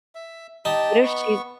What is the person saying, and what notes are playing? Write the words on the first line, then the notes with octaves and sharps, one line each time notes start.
what if she's
E5
D#4 G4 A5
B3 C#6